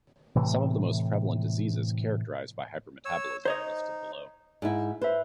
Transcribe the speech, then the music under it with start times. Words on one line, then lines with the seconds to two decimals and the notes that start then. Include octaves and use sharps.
Some of the most prevalent diseases characterized by hypermetabolism are listed below.
0.36 A2 C3 E3
3.05 C#5 E6
3.45 D#4 C5 C#5 D#5
4.62 G#2 E4
5.02 B4 C5 E5